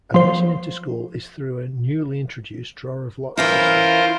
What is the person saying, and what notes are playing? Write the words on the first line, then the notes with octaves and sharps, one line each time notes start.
Admission into school is through a newly introduced draw of lots system.
F3 C5
E3 C#4 E4 F4 A#4 C5